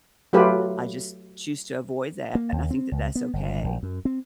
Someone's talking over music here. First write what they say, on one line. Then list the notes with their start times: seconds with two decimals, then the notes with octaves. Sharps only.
I just choose to avoid that, and I think that that's okay.
0.33 F#3 A3 F4 G4 B4
2.35 A#3
2.52 D#2
2.71 C4
2.92 C#2
3.15 B3
3.33 G1
3.64 A#1
3.83 F#2
4.05 C4